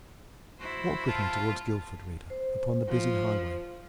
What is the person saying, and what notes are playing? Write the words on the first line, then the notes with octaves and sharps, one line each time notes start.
Walk with me toward Guildford, reader, upon the busy highway.
E4 F#4 C5
F4 A5
C5
F3